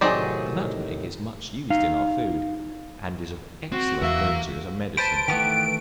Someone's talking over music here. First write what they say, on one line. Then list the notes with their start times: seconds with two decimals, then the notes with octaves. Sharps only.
The nutmeg is much used in our food, and is of excellent virtue as a medicine.
0.01 A2 C3 D#3 F#3 C4 D#4 G#4 D5
1.70 D#4 F5
3.72 C4 F#4
4.02 E2 A#4 E5 F5
4.97 B4 C5 A5 D7
5.28 D#3 E3 A3 B3 G4